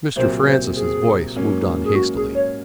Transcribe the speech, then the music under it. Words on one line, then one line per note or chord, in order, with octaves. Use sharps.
Mr. Francis's voice moved on hastily.
C2 A#2 F#3 C4 C5
C5
G#4
G#2 F#3 A#3 C#4
G#4
F#4
G#4
C#5